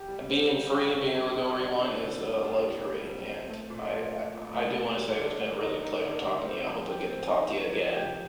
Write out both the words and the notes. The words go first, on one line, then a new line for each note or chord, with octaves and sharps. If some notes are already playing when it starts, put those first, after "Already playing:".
being free and being able to go where you want is a luxury and I I I do wanna say it's been really a pleasure talking to you, I hope I get to talk to you again.
Already playing: G4
G3
C4
G3
G4
C4
G3
G3
D3
D3
C4
G3
F4
G3
G3
C4
C4
A3
A#2
A3
A#2
A#2
A3
A#2
G3
D3
D3
D#4
D#4
D3
G3
C4
F3
G4
C4
D#4
F3
F3
G4